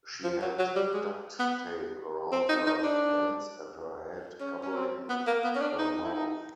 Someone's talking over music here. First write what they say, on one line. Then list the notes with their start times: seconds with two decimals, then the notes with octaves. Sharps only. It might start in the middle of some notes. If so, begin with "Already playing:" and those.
She had duct tape around her hands and her head covering her mouth.
0.24 F3
0.42 F#3
0.59 F#3
0.76 G3
0.94 G#3
1.40 B3
2.32 C4
2.49 D#4
2.67 D#4
2.84 D4
4.41 C#4
4.63 C#4
4.75 C4
5.09 B3
5.27 A#3
5.44 B3
5.55 C#4
5.62 D4
5.79 D#4
6.04 E4
6.13 D#4